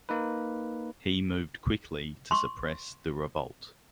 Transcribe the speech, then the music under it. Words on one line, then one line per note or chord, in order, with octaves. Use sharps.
He moved quickly to suppress the revolt.
A#3 D#4 B4
C6 C#6